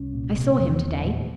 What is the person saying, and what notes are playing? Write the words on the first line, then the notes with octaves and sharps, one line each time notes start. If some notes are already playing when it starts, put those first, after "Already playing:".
"I saw him to-day."
Already playing: C2 C#4
A#2
C3
E2
E2
A#2